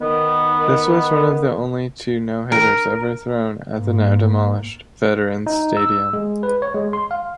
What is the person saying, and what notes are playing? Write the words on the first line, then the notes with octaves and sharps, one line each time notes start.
This was one of only two no-hitters ever thrown at the now-demolished Veterans Stadium.
D#3 B3
A#4
G#2 A#3
D#4
E6
G#3
B4
C#5
G#3
C6
F5